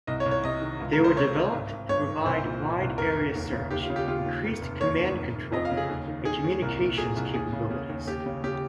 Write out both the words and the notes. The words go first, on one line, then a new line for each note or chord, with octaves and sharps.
They were developed to provide wide area search, increased command control, and communications capabilities.
C2 D#5
C#5
C2
C#5
C3 D#5
D#3
C#2
A#4
C#2
C5
C3 C#5
D#3
G#1
G#1
G2 C#5
D#3
C2 C5
A#2
A#2
C2
F1 A#4
F1
D#2
C#3
D#2 G4
F4
C#3
G4
C#3 F4
D#2
F1
F1
D#2 C#5
D#3
F1
F1
F2 D#5
F5
C#3
G#4
D#2
D#3
D#3 G#4
D#2
C2 A#4
A#2
A#2 G#4
C2
D#2 G#4
C#3
C#3
D#2
D#2 G4
C#3
C#3 G4